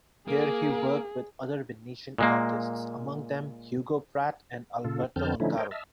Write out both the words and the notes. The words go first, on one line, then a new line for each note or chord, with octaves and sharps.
Here he worked with other Venetian artists, among them Hugo Pratt and Alberto Ongaro.
A#3 G#4
A#2 G#3 A#3
A#2 C#3 F4 A4
F2 D3 C4 A5 F6 G6
D3 F3 A3 C#4 D#4 E4
A#4 C5 C#5 D#5 G5
D#5 E5 A5 E6 F6